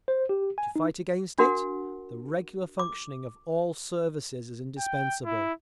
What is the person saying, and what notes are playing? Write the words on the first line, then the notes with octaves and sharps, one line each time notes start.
To fight against it, the regular functioning of all services is indispensable.
C5
G4
G#5
D#4
D4 F#4 A#4 F#5
D6
G5
E4